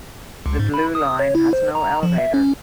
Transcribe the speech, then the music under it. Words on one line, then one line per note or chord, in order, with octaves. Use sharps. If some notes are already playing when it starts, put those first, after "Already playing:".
The Blue Line has no elevator.
C#2
G#2
B5
D#6
C#5
E4
C5
A#5
F3
E5
C#4